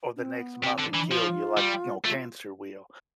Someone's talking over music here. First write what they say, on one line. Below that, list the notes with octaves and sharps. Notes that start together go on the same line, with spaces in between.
or the next month and kill you like, you know, cancer will.
D4
C4
B3
C3 C4
D3
E4
E3 D4
F3 F4
G3
A3 F4